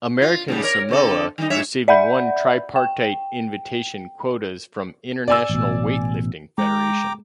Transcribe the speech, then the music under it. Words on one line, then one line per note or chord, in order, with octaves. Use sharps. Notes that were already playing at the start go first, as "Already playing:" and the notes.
American Samoa receiving one tripartite invitation quotas from International Weightlifting Federation.
F4
G#2 C#3 G3
A#4 C#5
D3 C4 A4
D#3 G3 D#4
G2 C#5 E5
D5 E5 F#5 B5 G6
G5
D5 G#5 E6
A1 B2
G#3 G5 A#5 D6